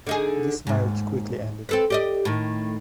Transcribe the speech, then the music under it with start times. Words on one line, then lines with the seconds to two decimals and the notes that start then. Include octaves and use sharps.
This marriage quickly ended.
0.07 D3 D#4 G#4
0.67 D#2 G#2
1.69 C4 A4 B4
1.90 G4 D5 D#5
2.25 A2 D#3